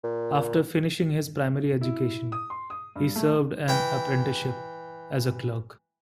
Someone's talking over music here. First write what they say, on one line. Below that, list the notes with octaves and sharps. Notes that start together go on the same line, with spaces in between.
After finishing his primary education, he served an apprenticeship as a clerk.
A#2
E4
D#6
C6
D#6
G2
A3
E3 G5